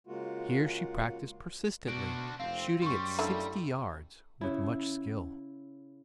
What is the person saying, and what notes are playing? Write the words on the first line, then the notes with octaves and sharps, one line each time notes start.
Here she practiced persistently, shooting at sixty yards with much skill.
C#3 G#3 A#3 F4 F#4
B2 D4 F#4 D7
F1 C4 F5
F#2 G3 C6 C#6
D3 A3 E4
C#3 E4